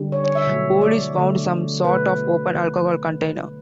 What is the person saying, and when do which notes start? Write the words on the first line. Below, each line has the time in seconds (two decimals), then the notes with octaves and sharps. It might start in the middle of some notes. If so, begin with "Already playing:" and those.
Police found some sort of open alcohol container.
Already playing: D3 G3
0.12 C#5
0.24 C#5
0.35 E5
0.47 B2 F#3 A3
0.81 D5
1.16 D3 A3
1.84 B2 A3 B4